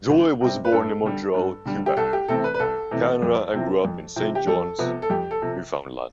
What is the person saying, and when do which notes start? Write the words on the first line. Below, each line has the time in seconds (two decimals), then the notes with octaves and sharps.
Joy was born in Montreal, Quebec, Canada and grew up in Saint John's, Newfoundland.
0.09 D2
0.41 C3 G3 C4
0.65 B4
0.72 G2 A4
1.03 D3 G3
1.35 G2
1.66 D3 G3
1.86 G4
1.97 C2 A4
2.13 G4
2.28 C3 E3 A3 C4 A4
2.44 B4
2.54 B4
2.60 C2 A4
2.91 C3 E3 A3 C4
3.22 F2
3.54 C3 F3 C4 E4
3.85 F2
4.16 C3 F3 C4 E4
4.35 G4
4.47 F2 A4
4.78 C3 F3 B3
5.02 A4
5.10 F2 G4
5.31 A4
5.42 C3 F3